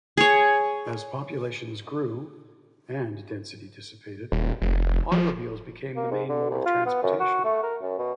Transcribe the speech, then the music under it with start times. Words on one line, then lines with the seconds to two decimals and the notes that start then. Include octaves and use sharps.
As populations grew and density dissipated automobiles became the main mode of transportation.
0.17 G#4 C#5
4.32 D#1
4.62 F1
5.12 F3
5.96 A#3
6.11 G#2
6.29 D3
6.50 C2
6.66 F4
6.86 B3
7.03 F#2
7.20 F#4
7.44 A3
7.63 A#4
7.82 F#2
7.98 B2